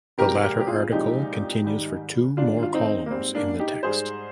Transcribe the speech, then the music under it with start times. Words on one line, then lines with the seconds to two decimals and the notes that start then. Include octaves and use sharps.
The latter article continues for two more columns in the text.
0.18 C2 A#2 F3 G#3 G4 A#4
0.42 G4 A#4
0.60 G4
0.67 F4 G#4
0.92 C2 A#2 F3 G#3 D#4 G4
1.64 G#2 D#3 G3
2.37 G#2 D#3 G3 D4 F4
2.63 F4
2.74 C4 D#4
3.06 A#3
3.11 G#2 G3 C4
3.35 A#3 D4
3.60 D#4 G4
3.83 G#2 G3 G#4 C5